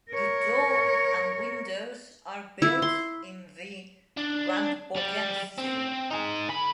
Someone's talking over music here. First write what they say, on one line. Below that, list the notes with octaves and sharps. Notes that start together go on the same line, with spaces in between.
The door and windows are built in the Rundbogenstil.
A#4 C#5
E4
C6
D4
G3
C4
D#4 G#4
D3 B5